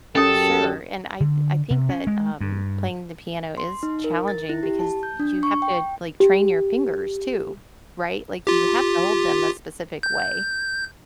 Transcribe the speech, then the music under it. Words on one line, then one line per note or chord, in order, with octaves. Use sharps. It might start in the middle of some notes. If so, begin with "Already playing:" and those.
Sure. And I th I think that, um, playing the piano is challenging because you have to, like, train your fingers too, right? Like, you have to hold them a specific way
F#2 C#4 G4 A4 D#6
D3
C3
C#4
G#3
G2
C6
D#4
A#4
A6
E4
G4
A5
G6
D4
C#6
G5
G4
F4 G4
G6